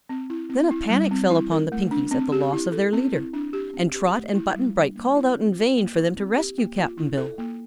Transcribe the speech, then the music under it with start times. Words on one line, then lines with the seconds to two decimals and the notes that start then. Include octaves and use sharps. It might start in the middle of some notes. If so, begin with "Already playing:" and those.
Then a panic fell upon the Pinkies at the loss of their leader, and Trot and Button-Bright called out in vain for them to rescue Cap'n Bill.
0.09 C4
0.30 E4
0.50 C4
0.71 E4
0.90 G3
1.11 C4
1.30 E4
1.51 A#4
1.72 A3
1.91 D4
2.11 C4
2.32 G4
2.53 E4
2.72 A4
2.93 C4
3.13 E4
3.33 D4
3.53 G4
3.74 C4
3.94 G4
4.14 A3
4.35 E4
4.55 G3
4.75 D4
4.96 A#3
5.16 E4
5.35 C4
5.56 F4
5.77 A#3
5.96 E4
6.17 C4
6.37 G4
6.58 A#3
6.78 F4
6.98 E4
7.18 A4
7.38 A#3